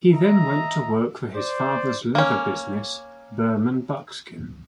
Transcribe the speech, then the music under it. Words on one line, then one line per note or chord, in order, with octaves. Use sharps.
He then went to work for his father's leather business, Berman Buckskin.
D#5 E5 A#5
C5 D5
A#3 C#4